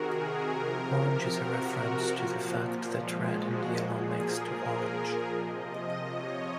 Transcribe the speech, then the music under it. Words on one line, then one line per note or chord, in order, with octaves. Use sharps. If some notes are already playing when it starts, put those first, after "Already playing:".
Orange is a reference to the fact that red and yellow mix to orange.
Already playing: C3 D#3 F#4 G#4 A#4
C3 F3 A#4
A#4
F#4
A#2 F3
G#3
F#4
A#2 F3 G#4
A#4
C3 F3 D#5
C#5